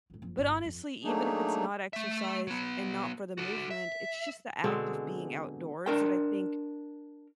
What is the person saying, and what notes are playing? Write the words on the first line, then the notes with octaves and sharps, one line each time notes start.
but honestly, even if it's not exercise, and not for the movement, it's just the act of being outdoors that I think
D2 G#2
F#1 F3
G1
F2
F#3 A3 A#3 D4 D#4 G#4
A3 E5
F#3 B3
F#4 A4
E5
B2 D3 G#3 C4
D4 A#4 G5